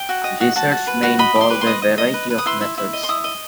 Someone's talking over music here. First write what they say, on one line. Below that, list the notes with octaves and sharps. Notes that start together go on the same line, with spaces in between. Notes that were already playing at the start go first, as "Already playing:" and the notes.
Research may involve a variety of methods.
Already playing: G5
F#4
D#5
F#4
F#4 A5
F#4
B4
F#4
D#5 B5
G4
C6
B4
C6
D#5
D#5
D#5
B4
B4
D#6
E4 C6
E4
E4
D#5
C6
E4 D#6
D#5